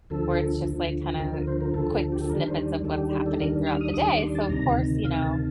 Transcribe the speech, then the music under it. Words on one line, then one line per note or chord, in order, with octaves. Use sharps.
where it's just, like, kinda quick snippets of what's happening throughout the day, so, of course, you know,
D2 D3 F3 A4
D2 D3 F3
D2 D3 F3 A#4
A#4
C5
A#4
D2 D3 F3 A4
G4
A4
D#2 D#3 G3 D4 A#4
C5
D#2 D#3 G3 D4 A4
G4
G4
A4
D#2 D#3 G3 D4 A#4
F6
D#6
D#2 D#3 G3 D4 D#6
D6
C6
A5
D2 C3 D#3 A#5
D2 C3 D#3 F5
A5